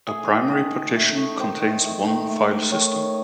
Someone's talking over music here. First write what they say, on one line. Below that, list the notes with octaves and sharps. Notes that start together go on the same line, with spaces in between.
A primary partition contains one file system.
A3 G#4
D#3
D#3
D#3
A3
A3
D#3 C5
D#3
A3
D#3
A3
A3
D#3 C#5
D#3